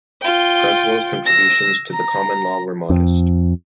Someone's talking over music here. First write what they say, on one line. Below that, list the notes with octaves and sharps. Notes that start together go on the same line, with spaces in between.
Cresswell's contributions to the common law were modest.
F4 G5
E6 A#6
A#5
F2